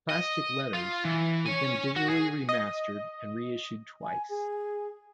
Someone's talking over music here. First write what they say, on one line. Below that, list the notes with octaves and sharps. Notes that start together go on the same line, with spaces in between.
"Plastic Letters" has been digitally remastered and re-issued twice.
D#5
F4
E3
C#5 G#5
F#4
G#4
D#5
G#5
G#4